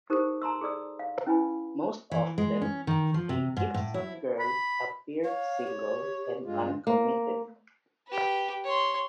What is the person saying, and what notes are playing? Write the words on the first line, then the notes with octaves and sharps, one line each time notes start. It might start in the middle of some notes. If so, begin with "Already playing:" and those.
Most often, a Gibson Girl appeared single and uncommitted.
D#4 G4 A4 A#4 C5
A5 A#5 C6 E6
G#4 A4 D5 E6
F5
C#4 E4 B4 G#5 B5
E3
G#3
C#4
D#3
F3
C3
G#2
A2
E4
B5
C#5 F5
G4
G2 G#3 F4
A#3
G4 B4
C#5 C6